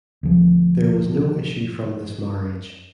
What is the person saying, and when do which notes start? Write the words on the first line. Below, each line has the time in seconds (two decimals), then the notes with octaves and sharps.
There was no issue from this marriage.
0.23 D2 F3